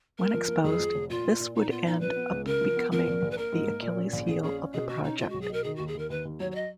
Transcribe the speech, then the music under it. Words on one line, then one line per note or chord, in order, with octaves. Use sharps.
When exposed, this would end up becoming the "Achilles' heel of the project".
A#3 A#4
F3
A#3
F2 G#4
F3
F1
A#2 F4
A#2
A#2
A#2 D#4
B3 F4
A#2 D#4
F3 B4
B3
C#2
C#3 A#4
F3
B3
F3 A#4
A#1
A#1
B4
A#3 A#4
G#2
A#3
A#2
C#4
A#1
A#1 G#4
C#4 G#4
C#4
B2 G#4
B2 F#4
C#4 D#4
G#3 F4
B1 F#4
G#4
B2 A#4
D#3 G#4
D#2 F#4
G#4
D#2 A#4
D#2 B4
D#2
F#3 C#5
C#5
D#5